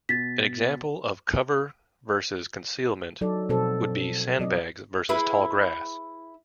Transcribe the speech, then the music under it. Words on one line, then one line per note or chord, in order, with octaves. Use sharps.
An example of "cover versus concealment" would be sandbags versus tall grass.
B2 A6 B6
F#3 D#4 A4 D5
B2 F3 C4 F#4 A4 C5
F#3 C4 D5 D#5
E4 G#4 B4